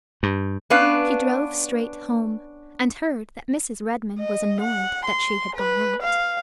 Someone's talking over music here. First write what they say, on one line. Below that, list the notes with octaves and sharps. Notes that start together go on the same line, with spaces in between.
She drove straight home, and heard that Mrs. Redmain was annoyed that she had gone out.
G2
B3 C#4 D4 B4 F5
D#5
F#5
C6
B4
F5